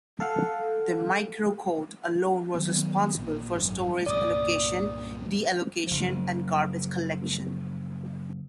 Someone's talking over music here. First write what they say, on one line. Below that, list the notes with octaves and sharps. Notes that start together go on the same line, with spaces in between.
The microcode alone was responsible for storage allocation, deallocation and garbage collection.
A4 F5 F#5
D#3 F#3 B3
A1 A#2
G#1 F#2
C2 G2 A#2 D5 D6 D#6
F#1 F3